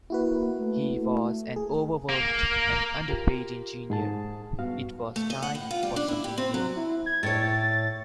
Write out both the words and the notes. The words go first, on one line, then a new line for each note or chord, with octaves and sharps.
He was an over-worked and underpaid Engineer, it was time for something new.
A#3 E4 F#4 B4
A3
A3
G#4
A#3
F4 G4 A#4
G#2 G#4 A5
G2 B3 F#4 F5
A3
D#5
F#5
A2
F4
G3
D4
E4
G4
C4
F#3
E4
G#6
A2 C#5 A6